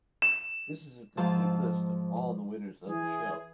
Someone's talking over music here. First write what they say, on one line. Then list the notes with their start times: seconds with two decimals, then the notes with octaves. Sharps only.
This is a complete list of all the winners of the show.
0.22 E7
1.17 G#2 F3 A5 E6
2.86 E3 G#4